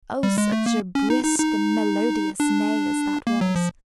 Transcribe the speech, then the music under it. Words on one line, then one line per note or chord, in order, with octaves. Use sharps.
Oh, such a brisk and melodious neigh as that was!
G3
G#3
A3
A#3
C#4
D#4
D#4
D#4
D4
A#3
F#3
F3